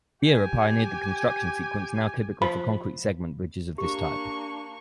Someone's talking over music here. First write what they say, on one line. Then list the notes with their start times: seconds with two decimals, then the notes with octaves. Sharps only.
Viera pioneered the construction sequence now typical for concrete segment bridges of this type.
0.25 G4 G#5
2.42 F3 B5
3.78 A#3 D4 G4 C#6